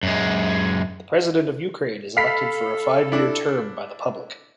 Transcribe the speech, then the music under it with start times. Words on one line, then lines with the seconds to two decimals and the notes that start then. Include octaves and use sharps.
The President of Ukraine is elected for a five-year term by the public.
0.03 F#2 G#3
2.17 A4 F5 B5 B6
3.12 D4 E4